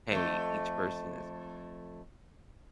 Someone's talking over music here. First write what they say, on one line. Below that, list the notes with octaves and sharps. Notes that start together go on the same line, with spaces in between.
hey, each person is
F2 A3